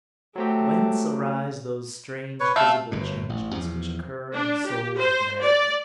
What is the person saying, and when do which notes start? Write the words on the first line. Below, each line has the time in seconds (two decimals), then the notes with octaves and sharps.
Whence arise those strange, visible changes which occur in the soul of man?
0.36 F#3 A3 C4 G4
2.40 B4 C#5
2.56 A3 F5 E6
2.91 G1 F#2 A2
3.29 A1
3.53 E2 F3
4.34 D4
4.66 G4
4.97 C5
5.43 D5